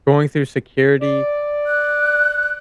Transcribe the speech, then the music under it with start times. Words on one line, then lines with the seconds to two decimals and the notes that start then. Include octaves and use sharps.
going through security,
1.01 D5
1.67 F#6